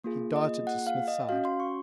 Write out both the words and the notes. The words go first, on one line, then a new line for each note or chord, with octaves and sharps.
He darted to Psmith's side.
A#3 F4 G#4
D#5
F#5
F5
D#5
C#4 F#4 F5
C6
C#6